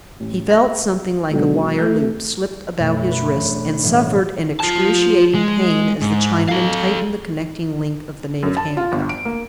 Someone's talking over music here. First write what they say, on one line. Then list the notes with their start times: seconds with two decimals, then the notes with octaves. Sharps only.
He felt something like a wire loop slipped about his wrists, and suffered an excruciating pain as the Chinaman tightened the connecting link of the native handcuff.
0.20 A1
0.51 E5 A#6
1.31 B2 D3 F#3 G#3
1.79 A3 G6
2.77 B1 F#2 B2 A3
3.08 D4 A4 B4 C#5
3.34 E1 G6
3.83 A2 E3 F#3 G3
4.60 F4 A5
5.34 G#3
6.02 G#2
6.49 A4 F5
8.43 F#2
8.57 A5
8.77 F4
8.92 G1
9.09 D7
9.25 A#3